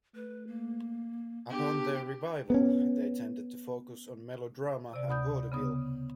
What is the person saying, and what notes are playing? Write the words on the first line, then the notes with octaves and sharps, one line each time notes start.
Upon their revival, they tended to focus on melodrama and vaudeville.
A3 B4
A#3
B3 D4 G4
B3 C#4
C3 D5
D2 B5 D#6 G6
C#3 B3 D#6